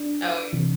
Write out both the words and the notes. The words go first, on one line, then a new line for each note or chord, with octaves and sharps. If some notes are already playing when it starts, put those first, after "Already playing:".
Oh, yeah.
Already playing: D4
C3 E3